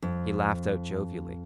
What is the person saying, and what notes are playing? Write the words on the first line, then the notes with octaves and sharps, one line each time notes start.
He laughed out jovially.
F2